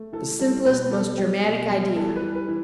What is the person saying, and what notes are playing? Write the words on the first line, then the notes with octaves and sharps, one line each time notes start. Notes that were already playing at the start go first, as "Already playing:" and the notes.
The simplest, most dramatic idea.
Already playing: A3
E3 A4
G3 A4
B2 B4
G3 A4
G3 G4
B2
G3
E3 A4
B4
G3
B4
E3